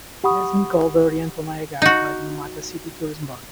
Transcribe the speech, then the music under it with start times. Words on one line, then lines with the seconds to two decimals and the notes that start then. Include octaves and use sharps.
It has been called the "Oriental Niagara" by the Numata City Tourism Board.
0.24 G4 F#5 B5 C#6 D#6
1.82 D#4 F#4